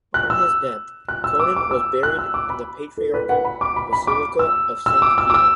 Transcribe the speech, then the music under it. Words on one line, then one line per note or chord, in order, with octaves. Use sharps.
On his death, Conon was buried in the Patriarchal Basilica of Saint Peter.
F#6
E6
F#6
E6
D6
D6
E6
F#6
E6
D6
B5
A4
B4
F#5
B5
D6
B5
B5
D6
E6
E6
D6
E6
D6
E6